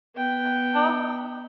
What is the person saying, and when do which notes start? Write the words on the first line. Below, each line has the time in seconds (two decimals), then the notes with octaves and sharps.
Uh, oh uh,
0.15 B3 G5